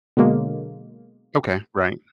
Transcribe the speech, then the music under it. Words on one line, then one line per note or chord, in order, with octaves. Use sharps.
Okay. Right.
B2 D3 F#3 G#3 A#3